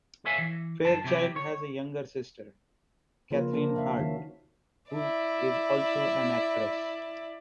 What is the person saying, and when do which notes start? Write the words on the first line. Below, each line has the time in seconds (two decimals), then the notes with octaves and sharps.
Fairchild has a younger sister, Cathryn Hartt, who is also an actress.
0.25 A4 B4 C#5 E5 F5 G#5
0.38 E3
0.85 F#2 D3 A5
1.04 C3 F#3 E4 G4
1.36 C#5
3.31 C#3 F3 A#3 F4 A#4 B4
3.53 A#3 D4 A#4
3.76 E5 F5
3.97 D#3 C#4 F#4
4.91 E4 D5